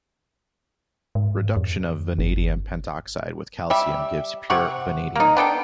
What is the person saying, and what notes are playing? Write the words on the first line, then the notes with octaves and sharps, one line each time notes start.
Reduction of vanadium pentoxide with calcium gives pure vanadium.
G#2
F2
G1
G3 G4 E5
C3 F#5 C#6
A#3 D#4
B3 D4 A4 G5